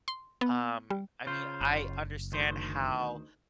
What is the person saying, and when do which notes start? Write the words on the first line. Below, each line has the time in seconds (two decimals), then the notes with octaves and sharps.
um, I mean, I understand how,
0.08 C6
0.41 B3
0.90 G3
1.26 C#3 F4 C5
1.61 F#1
2.32 D2 D#3 C5